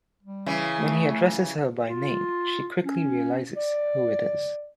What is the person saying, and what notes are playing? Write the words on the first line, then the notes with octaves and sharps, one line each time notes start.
When he addresses her by name she quickly realizes who it is.
G3
C#3 E3
A3
F4
C#4
D5